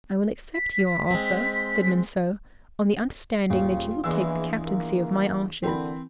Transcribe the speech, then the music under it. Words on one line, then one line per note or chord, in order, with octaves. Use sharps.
"I will accept your offer," said Monceux, "on the understanding that you will take the captaincy of my archers."
B6
G#3 C4
D#1 C#3 F4
A#1 E2 E3 G#3 E6
A#3
D3 E3 C4 A#4 B5